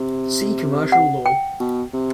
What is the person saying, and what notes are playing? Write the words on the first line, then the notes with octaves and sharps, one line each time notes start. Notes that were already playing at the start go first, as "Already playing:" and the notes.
See commercial law.
Already playing: C3
F#5
G5
B2
C3